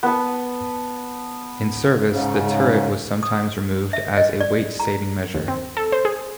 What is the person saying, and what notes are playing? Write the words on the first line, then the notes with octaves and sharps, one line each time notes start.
In service, the turret was sometimes removed as a weight saving measure.
B3 A5
G#2 C#3
D#6
E5
D#5
D5
A#5
D#2
C4
A4
C5
G#4